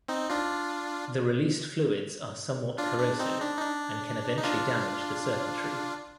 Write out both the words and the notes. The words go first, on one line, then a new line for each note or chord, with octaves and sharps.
The released fluids are somewhat corrosive and can eventually damage the circuitry.
C4 D#4
D4 F4
D4 F4
D4
C4 D#4
D4
D#4
D4
D#4
D4 F4